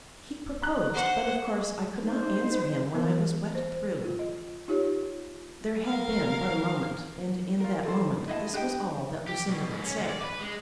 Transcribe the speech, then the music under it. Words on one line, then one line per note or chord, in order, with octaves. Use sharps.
"He proposed; but of course I could not answer him when I was wet through." There had been but a moment, and in that moment this was all that Lucinda would say.
A#5 F#6
C5 F#5
G#3
D#4 C5
E3 B3 A#4
C5
F4
D#5
D#4 F4 G4 C#5
A#4 F5
F4 A#4
A4 C5
E4 D#5 F5 A5
D4 G4 D#5 G5
G4
B2
G#2
C#4
D2
D5
B4
G#3